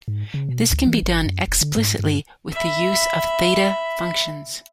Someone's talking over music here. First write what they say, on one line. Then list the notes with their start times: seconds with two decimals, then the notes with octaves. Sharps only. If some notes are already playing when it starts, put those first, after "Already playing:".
This can be done explicitly with the use of theta functions.
0.08 G#2
0.34 C#3
0.49 B2
0.70 D2
0.87 E3
1.03 G1
1.26 F#2
1.48 F1
1.61 D3
1.77 G#2
1.99 G2
2.52 E5 B5